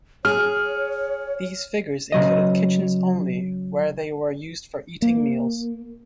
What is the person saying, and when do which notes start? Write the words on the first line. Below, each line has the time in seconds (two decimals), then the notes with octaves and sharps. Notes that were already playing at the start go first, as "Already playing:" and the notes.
These figures included kitchens only where they were used for eating meals.
0.25 G#4 C#5 F6
2.12 C#3 F#3 D#5
5.02 A#3